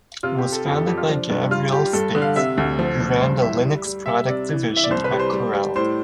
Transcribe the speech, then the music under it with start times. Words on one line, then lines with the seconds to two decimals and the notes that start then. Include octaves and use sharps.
It was founded by Gavriel State, who ran the Linux product division at Corel.
0.23 C3 F4
0.38 G4
0.45 C3
0.52 A4
0.66 F2 G4
0.76 A4
0.87 F2 G4
0.97 F4
1.09 F3 D4
1.30 G2 D4
1.50 G3 F4
1.72 G3 G4
1.93 G2 A4
2.15 D3
2.22 F5
2.36 C3 E5
2.58 D2
2.79 F3
3.00 F3
3.21 G2 C5
3.42 E3 E5
3.64 G3
3.85 G3
4.05 G3 E5
4.27 C3 D5
4.49 E3
4.69 E3
4.77 E5
4.84 D5
4.90 C2 C5
5.04 B4
5.12 G3
5.19 C5
5.33 G3
5.54 G3
5.76 A2 C5